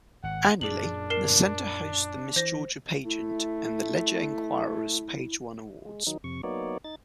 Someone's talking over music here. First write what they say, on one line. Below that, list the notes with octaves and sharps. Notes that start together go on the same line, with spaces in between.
Annually, the center hosts the Miss Georgia Pageant and the Ledger-Enquirer's Page One Awards.
G#1 F#5
F#2 A#2 D4 G#4 F#7
A#4 C7 E7
E3 C5 A#6
A3 E4
G#3
D#3 F#3 D#4
F2 C3 C#6
F#3 A#3 B3 D#4 C#5 D5
D#4 A6